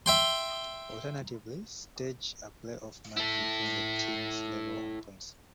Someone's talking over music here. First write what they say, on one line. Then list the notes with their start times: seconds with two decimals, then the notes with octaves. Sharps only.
Alternatively, stage a play-off match between the teams level on points.
0.06 E5 G5 C6
3.17 E4 A4